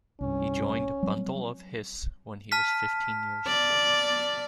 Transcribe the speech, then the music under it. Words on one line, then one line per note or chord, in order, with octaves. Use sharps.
He joined Bundle of Hiss when he was fifteen years old.
C2 G2 C#4
F#3 G3 C4
A5 F6 B6
D5